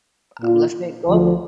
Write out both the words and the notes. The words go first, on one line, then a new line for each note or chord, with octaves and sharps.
a well, let's say global.
A#2 A#3 F4
D2 D3 F3